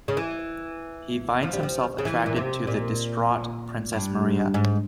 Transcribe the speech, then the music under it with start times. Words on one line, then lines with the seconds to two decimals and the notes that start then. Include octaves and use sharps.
He finds himself attracted to the distraught Princess Maria.
0.08 C#3
0.17 E3
1.43 F3
1.53 G3
1.63 F3
1.98 C#3
2.05 E3
2.26 A#2
2.36 C3
2.67 A#2
3.93 G2
4.54 G#2